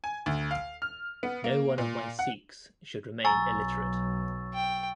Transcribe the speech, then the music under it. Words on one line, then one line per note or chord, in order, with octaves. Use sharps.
No one of my Sikhs should remain illiterate.
G#5
D2
F5
F6
B3
A#3
A#2
F#5
B1 F#3 G#5 A#5 C#6 E6 A6
G5